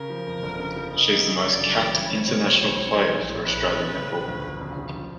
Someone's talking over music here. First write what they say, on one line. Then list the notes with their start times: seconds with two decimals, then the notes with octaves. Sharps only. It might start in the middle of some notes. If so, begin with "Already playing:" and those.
She is the most capped international player for Australian netball.
Already playing: C#3 A#4
0.10 F3
0.26 F2
0.43 G1
0.60 C#3
0.76 F3
0.93 C#3 D#5
1.10 E3
1.27 F#2
1.43 G1 D5
1.60 C#3
1.77 E3
1.94 G3 C#5
2.11 C4
2.28 B2
2.44 B1
2.61 G3
2.78 C4
2.95 E3
3.11 A#1
3.28 A2
3.44 A#1 B4
3.61 E3
3.78 A#1
3.95 C#3
4.11 F3
4.28 D2
4.45 E1
4.61 C#3
4.78 F3
4.95 F3